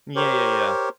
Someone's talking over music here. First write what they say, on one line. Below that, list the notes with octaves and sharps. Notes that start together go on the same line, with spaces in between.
Yeah, yeah, yeah.
G4 A#4 C5 C#5